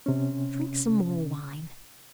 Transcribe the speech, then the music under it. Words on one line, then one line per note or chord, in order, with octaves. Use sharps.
Drink some more wine.
C3 C#4